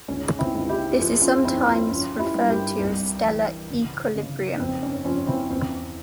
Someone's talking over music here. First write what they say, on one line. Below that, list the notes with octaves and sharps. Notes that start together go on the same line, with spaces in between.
This is sometimes referred to as stellar equilibrium.
C#2 C#4
C4 E4
C#2
E4 G4
F2 F4 G#4
C#4 F4
F2 C4 E4
C#4 F4
F3 C#4 F4
E4 G4
G2
G4 A#4
C2
E3
C#3
C#3
F2 C4
C#4
F2 C#4 F4
C4 E4
E2 C4